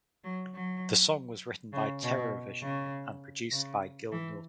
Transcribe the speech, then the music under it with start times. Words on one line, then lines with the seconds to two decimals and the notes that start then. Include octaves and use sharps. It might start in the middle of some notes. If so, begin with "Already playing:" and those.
The song was written by Terrorvision and produced by Gil Norton.
0.24 F#3
0.54 F#3
1.73 C#3
2.03 B2
2.62 C#3
3.52 C#3
4.12 E3